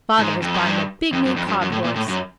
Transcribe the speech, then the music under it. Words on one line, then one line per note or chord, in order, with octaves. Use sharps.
Father has bought him a big new cob horse.
G#2
F2
F#2
G2
F2
F#2
F2
F#2
F#2
A2
A#2
A2
F#2